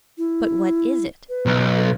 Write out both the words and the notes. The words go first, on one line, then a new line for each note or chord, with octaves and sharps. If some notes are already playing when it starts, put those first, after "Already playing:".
"But what is it?"
E4
B4
B1
A4